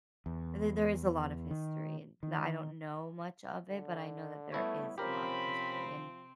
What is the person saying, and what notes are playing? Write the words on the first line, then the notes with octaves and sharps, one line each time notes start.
th there is a lot of history, and the I don't know much of it, but I know that there is a lot of history, and
E2
D#3
D#3
D3
G3 A3 B3 E4 C#5
C3 F3 C4 C#4 G4 A#4 B5